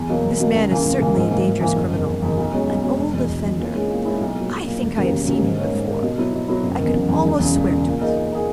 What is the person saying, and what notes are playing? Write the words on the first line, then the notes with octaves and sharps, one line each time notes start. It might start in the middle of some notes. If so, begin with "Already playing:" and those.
"This man is certainly a dangerous criminal--an old offender--I think I have seen him before--I could almost swear to it."
Already playing: E2
B2 F#3 A#3
E2
B2 F#3 A#3
C#2
C#3 E3 A#3
C#2
C#3 E3 A#3
G#2
E3 A#3
G#2
E3 A#3
F#1
E2 D#3
F#1
E2 D#3
B1
B2 G#3 C#4
B1
B2 G#3 C#4
E1
E2 B2
E1
E2 B2
A#2
G#3 C#4 E4 G#4
A#2
G#3 C#4 E4 G#4
B1
A#2 F#3
B1
A#2 F#3
E1
D#2 C#3 F#3 A#3
E1
D#2 C#3 F#3 A#3
G#2
D#3 A#3 C#4
G#2
D#3 A#3 C#4
B2
F#3 B3 E4
B2
F#3 B3 E4
F#1
E2 D#3
F#1
E2 D#3
E1
E2 C#3
E1
E2 C#3
A#2
A#3 D#4 G#4
A#2
A#3 D#4 G#4